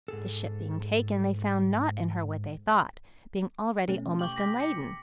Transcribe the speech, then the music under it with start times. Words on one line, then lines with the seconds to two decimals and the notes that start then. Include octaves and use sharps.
The ship being taken, they found not in her what they thought, being already almost unladen.
0.08 G#2 G#4 A4
3.88 B2 A3 C#4
4.19 G4 C#6 D6 F#7
4.36 A#6 B6
4.60 C#7